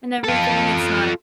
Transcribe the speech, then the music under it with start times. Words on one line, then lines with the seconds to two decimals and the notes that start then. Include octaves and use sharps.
and everything, it's not,
0.24 F4 A4